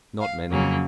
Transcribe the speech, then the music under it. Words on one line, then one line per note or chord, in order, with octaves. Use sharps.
Not many!
F5
F2 C#3 F#3 A#3 C#4